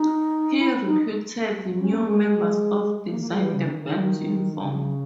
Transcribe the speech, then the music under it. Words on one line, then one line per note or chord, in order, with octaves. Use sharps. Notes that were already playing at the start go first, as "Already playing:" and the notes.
He recruited new members and designed the band's uniform.
Already playing: D#4
E4
D#4
C#4
A#3
G#3
G#3
G#3
A#3
A#3
G#3
E3
C#3
D#3
D#3
C#3